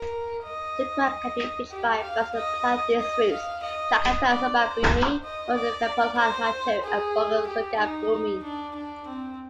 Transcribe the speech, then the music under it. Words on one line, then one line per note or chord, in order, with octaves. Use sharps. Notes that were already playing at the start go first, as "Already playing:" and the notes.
Cicurug can be reached by buses plying these routes: Jakarta-Sukabumi, Bogor-Pelabuhan Ratu and Bogor-Sukabumi.
Already playing: A#4
D#5
G4
F5
D#5
D#5
F5
D#5
D5
C5
D#5
D5
C5
G#4
G4
D#4
D#4
D4
D4
C4